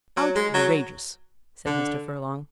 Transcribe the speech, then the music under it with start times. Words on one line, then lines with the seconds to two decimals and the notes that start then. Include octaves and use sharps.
"Outrageous!" said Mr. Furlong.
0.17 F#3
0.36 G#3
0.54 F#3
1.66 D3